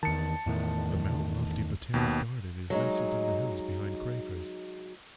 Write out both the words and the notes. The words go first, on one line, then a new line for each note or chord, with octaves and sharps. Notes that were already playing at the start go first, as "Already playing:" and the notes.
The Mount Lofty Botanic Garden is nestled in the hills behind Crafers.
E2 D#3 A5 C#7
E2 A2 D#3
D#2 B2
F#3 G#3 D#4